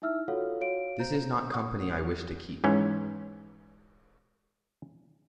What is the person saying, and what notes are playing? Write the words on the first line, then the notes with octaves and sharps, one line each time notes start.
This is not company I wish to keep.
D#4 E4 E5 E6 F6
F4 F#4 A4 C#5 F5 F#5
F#4 C#5 F5 D7
C5 A#5 G6
F#5 C#6 D#6
G#2 E3 C#4